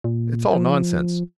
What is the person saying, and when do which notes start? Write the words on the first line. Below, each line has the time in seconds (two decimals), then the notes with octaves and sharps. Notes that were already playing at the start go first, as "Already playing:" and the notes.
It's all nonsense...
0.04 A#2
0.53 F3